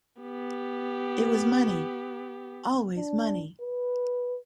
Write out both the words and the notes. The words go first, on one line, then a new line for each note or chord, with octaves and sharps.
It was money — always money.
B3 G4
D4
B4